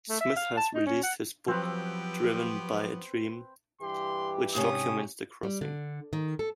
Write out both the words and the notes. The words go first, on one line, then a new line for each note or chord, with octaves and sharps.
Smith has released his book, "Driven by a Dream", which documents the crossing.
A3
E5
F5
A5
D#4
C#4
F#5
F3 F#3 B3 C4 G4 B4
G2 E3 G4 C6
G#2 C3 C#4 D#6
G3
D3
D#3
A4